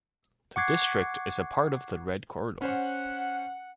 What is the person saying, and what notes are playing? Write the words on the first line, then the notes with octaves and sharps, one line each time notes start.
The District is a part of the Red Corridor.
F#5 C#6 D6 F#6 G#6 C7
C#4 C5 F#5